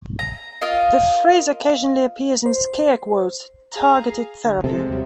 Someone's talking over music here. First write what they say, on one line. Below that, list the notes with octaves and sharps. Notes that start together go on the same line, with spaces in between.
The phrase occasionally appears in scare quotes: "targeted therapy".
A#5
F4 A#4 D#5 F5
C5
G#4 F5 A#5
D3
C3 F3 G#3 A4
D#2 F#3 G3